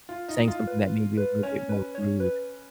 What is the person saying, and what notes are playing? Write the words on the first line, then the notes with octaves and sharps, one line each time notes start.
saying something that may be a little bit more rude
F4
D#4
F4
B4
B4
C#4 C#5
B4
C#5
B4